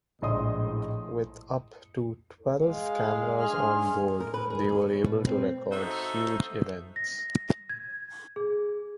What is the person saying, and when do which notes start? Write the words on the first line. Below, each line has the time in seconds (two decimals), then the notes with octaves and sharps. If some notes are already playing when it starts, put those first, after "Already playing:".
With up to twelve cameras on board they were able to record huge events.
0.22 A#1 A2 G#3 D#5 C6 D#6
2.66 G#3 F5
3.41 D4 G#4 C6 F6
4.20 A#4
4.34 B4
4.50 G#4
4.69 G#4
4.82 C#5
5.05 B2
5.27 C4
5.71 D#4 F#4 A4 C5 E5
6.96 A#6
7.69 G#6
8.36 G#4